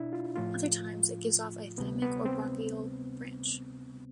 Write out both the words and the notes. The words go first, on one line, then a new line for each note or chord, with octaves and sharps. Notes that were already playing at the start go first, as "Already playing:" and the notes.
Other times, it gives off a thymic or bronchial branch.
Already playing: B2 D4 E4
F4
A2 F3 A3 F4
D2 C3 G3 B3
B3
C4